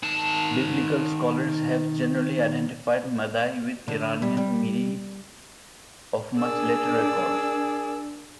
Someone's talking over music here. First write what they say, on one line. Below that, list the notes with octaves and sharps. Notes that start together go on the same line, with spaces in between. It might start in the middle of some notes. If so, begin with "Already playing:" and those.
Biblical scholars have generally identified Madai with the Iranian Medes of much later records.
D#3 A5
D3
G3
G3
D4 G#4 A#4 D5 E6